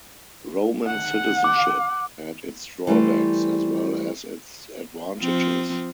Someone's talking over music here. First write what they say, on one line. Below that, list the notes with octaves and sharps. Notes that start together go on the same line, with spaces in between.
Roman citizenship had its drawbacks as well as its advantages.
F#5
D6
E3 G3 A3 C5
F3 C4